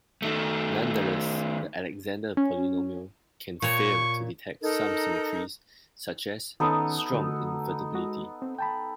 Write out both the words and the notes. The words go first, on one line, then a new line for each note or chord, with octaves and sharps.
Nonetheless, the Alexander polynomial can fail to detect some symmetries, such as strong invertibility.
D#3 A3
C#4
A#2 C#5 C#6
D#4 A4 A#4
D#3 B3 C#4 D#4 A4
D3 A3 F#4
G#3 F#4
C4
G5 A5 B5